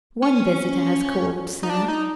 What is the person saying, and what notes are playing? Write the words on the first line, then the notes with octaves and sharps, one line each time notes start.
"One visitor has called, sir."
C#4
D#4
D4
D#4